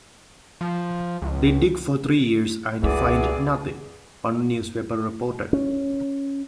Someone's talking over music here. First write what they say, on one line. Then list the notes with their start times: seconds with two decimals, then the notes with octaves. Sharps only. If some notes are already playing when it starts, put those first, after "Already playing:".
"They dig for three years and find nothing," one newspaper reported.
0.61 F3
1.22 C#2
2.83 C#2 G2 D3 E3 E4 F#4 G#4 D5
5.53 C#4